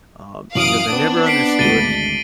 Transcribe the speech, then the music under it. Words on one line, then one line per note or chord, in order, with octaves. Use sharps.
um, he goes, "I never understood
F#2 E3 F#3 F5 D#6 D7 F#7
B3 C4 D4
B6 C7 D7
G#1 D2 A6 D#7 G7